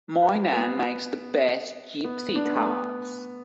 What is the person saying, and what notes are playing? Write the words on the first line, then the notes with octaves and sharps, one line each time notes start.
My nan makes the best Gypsy tarts.
B4
B3
B3
D4
B3
A3
B3